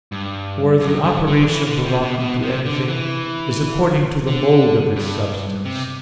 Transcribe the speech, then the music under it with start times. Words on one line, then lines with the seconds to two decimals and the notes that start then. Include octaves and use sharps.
For the operation belonging to anything is according to the mode of its substance.
0.12 G2
0.81 F#2
1.04 G2
1.27 D3
1.50 E3
1.67 D3
1.84 C3
2.02 B2
2.19 B2
2.43 C3
2.66 D3
2.88 E3
4.27 D3
4.96 G2
5.65 C3